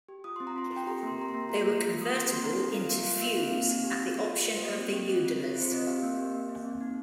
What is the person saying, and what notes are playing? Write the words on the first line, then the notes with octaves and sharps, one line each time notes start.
They were convertible into feus at the option of the udallers.
G4
F4 D#6
C4 C6
A#5
F4 C6
C4
G5
G4 A#5
A#3 C6
G4 A#5
C6
A#3
F4 A#5
A#3
F4
A#3
D#6
C4 C6
C4
C6
D#4 A#5
G4
F4 F5
A#3
F4 F5
A#3
C4 F5
C4
D#4
G4
F4
A#3
F4
A#3
C5
G4 D#5
C4
G4
C4
F4
C4
F4
C5
C4 D#5
G4 F5
A#3
G4
A#3
C4
C4
D#4